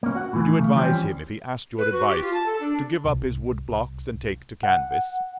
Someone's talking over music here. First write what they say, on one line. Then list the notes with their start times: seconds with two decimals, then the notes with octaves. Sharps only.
Would you advise him, if he asked your advice, to give up his wood-blocks and take to canvas?
0.03 A#3 C#4
0.15 F#4 F#5
0.33 A2 E3
0.59 C#3 A3
0.76 E3 F3 G3 C4 C#4 G4
1.78 B4
1.92 F#4
2.08 G4
2.21 F4
2.33 A5
2.46 A4
2.60 D4
3.04 C2
4.63 F#5